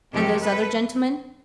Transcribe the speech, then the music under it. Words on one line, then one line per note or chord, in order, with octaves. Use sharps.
'And those other gentlemen?'
F2 C3 D#3 F#3 G4 A4
A4 B4